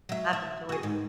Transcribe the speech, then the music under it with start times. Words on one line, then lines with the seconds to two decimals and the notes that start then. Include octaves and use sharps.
I've enjoyed it.
0.09 F#3 E5
0.33 E5
0.69 F#4 G#4
0.83 G#2